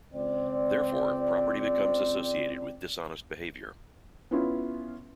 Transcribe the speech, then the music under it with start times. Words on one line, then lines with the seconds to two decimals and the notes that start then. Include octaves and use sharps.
Therefore, property becomes associated with dishonest behaviour.
0.15 C#2 C4 D5
4.31 B3 C#4 E4 F4